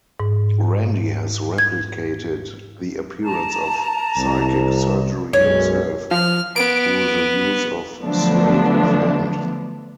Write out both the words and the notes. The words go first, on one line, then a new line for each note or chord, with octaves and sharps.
Randi has replicated the appearance of psychic surgery himself through the use of sleight-of-hand.
G#2
G#6
A5 A#5
C2
B1 F#2 G#3 C#4
F3 F6
B3 D7
D3 F3 F#3 A3 B3 D4